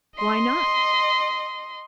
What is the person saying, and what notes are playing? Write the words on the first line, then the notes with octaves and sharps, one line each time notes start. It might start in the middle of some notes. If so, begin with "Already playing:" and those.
Why not?
D#5 C6